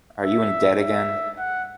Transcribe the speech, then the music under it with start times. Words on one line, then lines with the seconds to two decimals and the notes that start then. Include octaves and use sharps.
Are you in debt again?
0.22 E5
0.80 E5
1.38 F#5